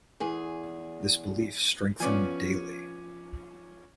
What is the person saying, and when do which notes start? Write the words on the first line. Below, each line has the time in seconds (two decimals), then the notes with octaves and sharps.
This belief strengthened daily.
0.20 E2 G#4
2.00 F3 B3 C#4 D5 G#5